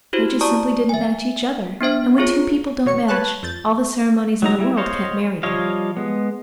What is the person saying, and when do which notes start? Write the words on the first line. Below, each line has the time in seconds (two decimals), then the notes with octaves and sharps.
They just simply didn't match each other; and when two people don't match, all the ceremonies in the world can't marry them.
0.13 E4 F#4 G4 C5
0.41 D5 A5 A#5 C#6 D#6
0.89 E5 G#5
1.81 B3 D4 C5 E5
2.18 C4 F4 G#4 C#5
2.86 B2 C#5 C#7
3.08 B4 C#5 A5 F#6
3.43 F2 G6 A6
4.42 F#3 D#4 A#5
4.59 G3 E4
4.77 C5 C#5 D#5 F5
5.43 F3 G3 C#5 D#5 F5
5.97 G#3 B3